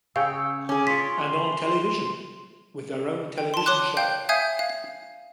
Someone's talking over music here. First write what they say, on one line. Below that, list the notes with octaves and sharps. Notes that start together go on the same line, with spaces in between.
And on television, with their own television show.
C#3 C#5 F5 G5 E6
C#4 G#4 D6
F4 C#5 D5 C6 B6
G5
A5 C6
C#5 C6 D6 F#6
F5 G5 G6
E5 F5 G#5 D#6 G6 G#6
F5